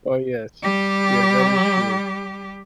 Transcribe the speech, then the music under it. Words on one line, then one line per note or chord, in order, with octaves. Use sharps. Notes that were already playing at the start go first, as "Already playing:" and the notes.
Oh, yes. Yes. That is true.
G3 G4